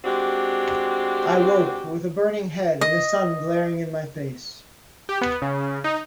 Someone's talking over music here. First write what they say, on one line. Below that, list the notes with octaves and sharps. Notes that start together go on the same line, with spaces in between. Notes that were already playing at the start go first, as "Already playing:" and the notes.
I woke with a burning head and the sun glaring in my face.
G#3 C4 D4 F#4 G4
D#5
G4
B3
C#3
D#4